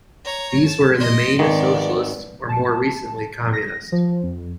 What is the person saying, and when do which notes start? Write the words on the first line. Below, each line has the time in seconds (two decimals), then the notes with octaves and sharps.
These were in the main socialist, or more recently communist.
0.24 C#5 A#5
0.65 A5
0.97 D#5 C6
1.39 G#1 D#3 B3 D5
2.49 A5
3.53 A#6
3.92 F3
4.23 F2